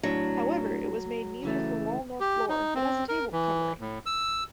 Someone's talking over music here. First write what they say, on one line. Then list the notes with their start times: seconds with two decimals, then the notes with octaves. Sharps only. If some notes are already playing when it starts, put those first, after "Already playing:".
However, it was made neither for wall nor floor, but as a table covering.
0.03 A2 F#3 D4
1.43 C#3 E3 A3
2.20 G4
2.49 D#4
2.75 C4
3.08 A#4
3.32 E3
3.81 A2
4.06 E6